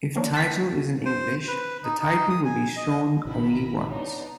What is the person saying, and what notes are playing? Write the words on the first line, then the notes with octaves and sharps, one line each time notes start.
If title is in English, the title will be shown only once.
D#3 F3 A#3 C#4 D4
A5 B6
C5
B4
D#4
D#4
D#6
G#5
D#5
A1 C3 D#3 E4 A#4 B5
B3 D4 D#4 C#5